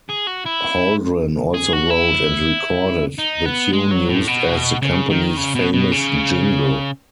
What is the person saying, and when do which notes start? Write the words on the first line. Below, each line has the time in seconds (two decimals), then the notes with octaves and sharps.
Hauldren also wrote and recorded the tune used as the company's famous jingle.
0.09 G#4
0.27 F#4
0.45 E4
1.54 G#4
1.73 F#4
1.90 E4
3.18 D#4
3.46 B3
3.73 G#3
3.91 F#3
4.09 A2
4.28 B2
4.82 C#3
5.10 D#3
5.37 C#3
5.55 B2
5.73 B2
5.92 C#3